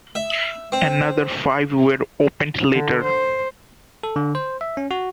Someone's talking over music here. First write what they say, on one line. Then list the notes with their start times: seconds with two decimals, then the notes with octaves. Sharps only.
Another five were opened later.
0.15 E5
0.72 C4
2.71 D3
3.03 C5
4.03 A4
4.16 D3
4.35 C5
4.61 E5
4.77 C#4
4.91 F#4